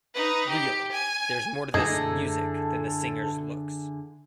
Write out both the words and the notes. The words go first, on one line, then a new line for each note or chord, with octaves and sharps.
Really, there's more to this "music" than the singer's looks.
D#4 B4
G4
G#5
F#2 D3 A3 A#3 D#4 E4 G#4 A4